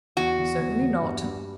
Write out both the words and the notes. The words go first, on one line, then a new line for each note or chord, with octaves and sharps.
"Certainly not."
E2 F#4
E2
E2
E2
G2
G2